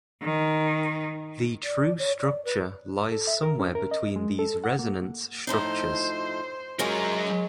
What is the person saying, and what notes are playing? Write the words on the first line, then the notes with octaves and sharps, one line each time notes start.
The true structure lies somewhere between these resonance structures.
D#3
D5
C#5
D5
B4
A4
E5
A#4
C#4
A#4
D#5
G#3
A4
F#5
A#3
A2 F3 D#4 C5
C#3 F#3 G#3 F4 A#4